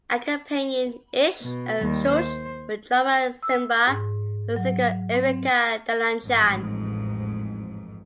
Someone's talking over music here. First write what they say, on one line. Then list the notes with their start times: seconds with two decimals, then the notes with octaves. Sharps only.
Accompanying Esch and Schulz were drummer Ziemba and singer Erica Dilanjian.
1.43 B2
1.80 D#2 G3
2.10 C5
3.43 E6
3.87 G#2
4.56 F#3
5.14 C4
6.23 A1 F2 G#2